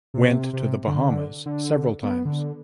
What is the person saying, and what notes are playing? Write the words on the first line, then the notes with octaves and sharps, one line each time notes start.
Went to the Bahamas several times.
C3
C3
D3
D3
B3
D3